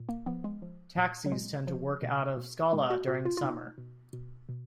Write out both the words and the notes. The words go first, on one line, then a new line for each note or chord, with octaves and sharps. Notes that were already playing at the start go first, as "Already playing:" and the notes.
Taxis tend to work out of Skala during summer.
Already playing: A#2
A#3
F3 B3
G#3
F3
A#2
F#3
A#2 G#3
F3
B2
B2
A#2 G#3
F#4
A#2 F#4
F4
F4
B2 D#4
B2
B2
B2